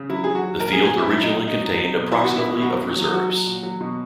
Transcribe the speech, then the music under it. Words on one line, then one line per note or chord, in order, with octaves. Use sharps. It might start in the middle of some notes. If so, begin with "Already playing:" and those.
The field originally contained approximately of reserves.
Already playing: C#3
F#3 E4
F#3 G#4
F#4
F#3
A#2 A#4
G#4
F#3
G#4
A#2 E4
F#3 E4
A#2 D#4
A#2 D#4
F#3
F#3
B2
B2 E4
B2 F#4
E4
B2
E4
F#3 F#4
A#2
F#3
F#3 F#4
F#3
A#2
F#3
B2